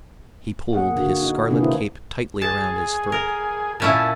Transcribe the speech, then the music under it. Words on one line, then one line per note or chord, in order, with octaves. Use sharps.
He pulled his scarlet cape tightly around his throat.
A#3 G#4 F#5
D3 F#4
D#4
C3 D#3 A#3 D4 G#4 B4
E4 C5
G#4 A5
A#4
A#2 C#4 E4 A5